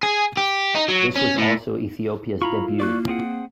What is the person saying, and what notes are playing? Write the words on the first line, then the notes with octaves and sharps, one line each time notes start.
This was also Ethiopia's debut.
G#4
G4
D#4
F#3
C#4
A2
E4 F4 A#5 B5 C#6
A#3 D5 C#6 F#6
C4 G#4 F#5